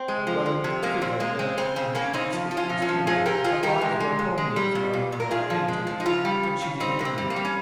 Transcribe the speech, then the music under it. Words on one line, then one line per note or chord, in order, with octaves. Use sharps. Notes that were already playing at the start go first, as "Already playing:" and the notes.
Her robed figure lurked in an inconspicuous corner; her eyes were upon me as Moa and I entered, but she did not move.
Already playing: C4
G#3
F3
F3
C3
G#3 A#3 C#4
A#2 C4
G#3 A#3
G#3 C4
C#3 C4
C#3 C4
C#3 A#3 C#4
C#3 C4 D#4
F3
F3
C#4 F4
C3
C#4 F4
F3
C3 F4 G#4
C3 G4 A#4
C3 F4 G#4
G3 G4 A#4
G#3
G#3
A#2
G#3
G3
A#2
A#2
A#2
A#4
A#2 F4 G#4
F3
G#3
F3
D#4
C#3 C#4 F4
G3
C#3
C#3
G3 C4 D#4
C3 A#3
C4
G3
A#3
G3
C#4